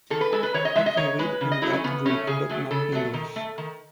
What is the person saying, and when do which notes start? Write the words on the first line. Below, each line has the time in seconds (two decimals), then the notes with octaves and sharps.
I can read and write Greek but not English.
0.10 D#3 A4
0.21 B4
0.32 G#3 A4
0.43 B4
0.54 D#3 C#5
0.65 D#5
0.76 G#3 E5
0.86 D#5
0.97 D#3 C#5
1.19 G#3 B4
1.41 C#3
1.52 D#5
1.62 F#3 A3 E4
1.73 C#4
1.84 C#3 B3
2.05 F#3 A3 C#4
2.27 C#3 G#4
2.49 F#3 A3
2.71 C#3 A4
2.92 F#3 A3
3.14 D#3
3.36 A3
3.58 D#3